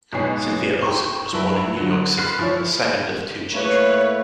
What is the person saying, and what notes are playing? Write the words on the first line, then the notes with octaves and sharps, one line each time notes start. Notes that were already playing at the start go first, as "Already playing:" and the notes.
Cynthia Ozick was born in New York City, the second of two children.
B1 G#2 B3 C#5 G#5 C7
G5 A#5 C6 C#6
F#3 E4 A#4 B4 E5
D3 F#3
B5 C6 F6 F#6 B6 C7
F3 E4 C#5
A2 A3 A#3 B4 C#5